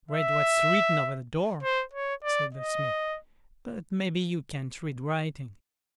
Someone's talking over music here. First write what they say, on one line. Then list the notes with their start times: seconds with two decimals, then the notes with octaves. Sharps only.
'Read what's written over the door', said the Smith; 'but maybe you can't read writing.
0.11 E5
1.63 C5
1.93 C#5
2.24 D5
2.54 D#5